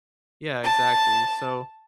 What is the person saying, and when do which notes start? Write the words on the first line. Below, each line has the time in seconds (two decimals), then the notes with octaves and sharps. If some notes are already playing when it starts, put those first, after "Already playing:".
yeah, exactly. So,
0.63 A5